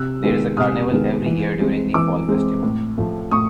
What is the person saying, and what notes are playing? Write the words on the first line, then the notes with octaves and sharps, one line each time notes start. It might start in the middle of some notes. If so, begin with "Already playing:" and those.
There is a carnival every year during the Fall Festival.
Already playing: C3 E6 F#6
D#3 G#3 B3
C3 D#6 F6
D#3 G#3 B3
E3
G#3 C4
E3 D6 E6
G#3 C4
A2
F3 A3
A2 C#6 D#6